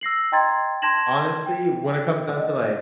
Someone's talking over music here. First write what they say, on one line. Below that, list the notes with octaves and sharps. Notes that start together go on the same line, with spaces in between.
honestly, when it comes down to, like,
E6 A#6 C7 F#7
D#5 G5 A#5 C6 G#6 A6
A5 C6 G#6 A#6 E7 F#7
G5
D#5